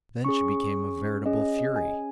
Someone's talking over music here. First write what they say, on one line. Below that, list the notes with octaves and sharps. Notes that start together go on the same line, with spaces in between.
Then she became a veritable fury.
C#4 G#4 C#6
C#4 G#4 D#5
D#5
D#5
G#5